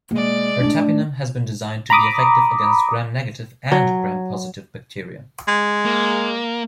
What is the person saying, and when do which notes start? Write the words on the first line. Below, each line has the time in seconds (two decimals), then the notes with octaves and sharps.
Ertapenem has been designed to be effective against Gram-negative and Gram-positive bacteria.
0.11 B2 G#3 A#3 D5
0.60 A2 A3 D4
1.90 A#5 B5 D6 D#6
3.72 F#3
5.48 G#3
5.85 A#3